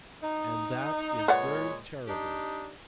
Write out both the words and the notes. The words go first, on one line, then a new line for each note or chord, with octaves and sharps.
And that is very terrible.
D#4
A#2 G#3 B4 C#5 D5 F#5
D4 D#4 G4